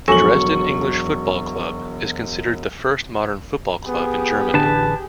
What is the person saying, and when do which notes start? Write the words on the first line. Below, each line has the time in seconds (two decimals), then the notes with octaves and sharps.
The Dresden English Football Club is considered the first modern football club in Germany.
0.08 E1 F3 F#3 A4 G#5 C#6 F#7
3.88 B3 G4 G#4
4.54 A1 D3 D4 B4 A5